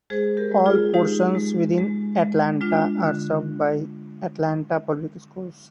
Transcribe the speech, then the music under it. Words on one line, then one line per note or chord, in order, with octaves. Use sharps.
All portions within Atlanta are served by Atlanta Public Schools.
G#3 G#4 C5
G4 A#4
G#3
F4 G#4
G#3 D#4 G4
G#3
G#3
G#3
G#3 D4 F4
D3